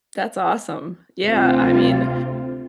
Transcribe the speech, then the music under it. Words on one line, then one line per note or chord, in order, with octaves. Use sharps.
That's awesome. Yeah, I mean,
D2 C3 C4 F4